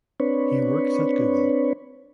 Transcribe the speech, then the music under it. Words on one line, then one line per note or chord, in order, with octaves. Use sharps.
He works at Google.
C4 D4 B4 C#5